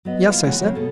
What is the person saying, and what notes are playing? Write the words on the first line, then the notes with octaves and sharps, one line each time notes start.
"Yes," I said.
F#3 B3 D#5
A#3 E4 F4
C#3 E3 G#3 G#4 B4 F#5
C#3 F#3 G3 A3 A#3 C4
B2 G#4 A4